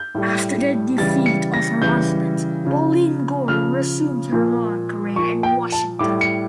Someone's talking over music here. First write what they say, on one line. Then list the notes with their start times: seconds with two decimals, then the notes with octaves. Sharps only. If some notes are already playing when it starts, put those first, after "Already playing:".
After the defeat of her husband, Pauline Gore resumed her law career in Washington.
Already playing: G6
0.15 A2 G3
0.98 C#3 E3 G3 A6
1.26 C#7
1.54 A#6
1.81 C#3 E3 G3 G6
2.64 C#3 F3
3.48 C#3 F3 F6
4.32 A#2 F3
5.16 A#2 F3 C#6
5.43 G5
5.72 A5
5.99 A2 G3 D6
6.21 C#7